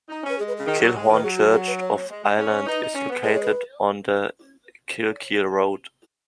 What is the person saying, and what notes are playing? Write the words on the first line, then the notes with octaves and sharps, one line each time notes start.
Kilhorne Church of Ireland is located on the Kilkeel road.
D#4
C#4
B4
G#3 G#4
B4
C#3 G#4
D#3
F#3
G#3
C#5
D#3 B4
F#3 G#4
F#4
G#4
B4
C#5
G#3
G#3
C#4
D#4 B4
D#4
C#4
B3
G#3 B4
C#5
B4